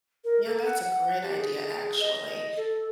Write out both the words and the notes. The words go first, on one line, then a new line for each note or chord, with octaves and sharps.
Yeah, that's a great idea, actually.
A#4
A4
F#5
F#5
G4
G#4
D#5
A4